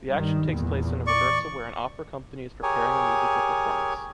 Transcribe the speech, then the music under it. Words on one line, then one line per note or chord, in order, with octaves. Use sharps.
The action takes place in a rehearsal where an opera company is preparing a musical performance.
G2 D#3 G3
E2 A#2
D5 C#6
G4 G#4 A#4 C#5 G#5